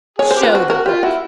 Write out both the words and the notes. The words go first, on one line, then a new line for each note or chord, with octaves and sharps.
"Show the book."
G#4 C#5
C5
G4
F4 B4
F#4 C5
F#4 A#4
F4 G4
E4 F#4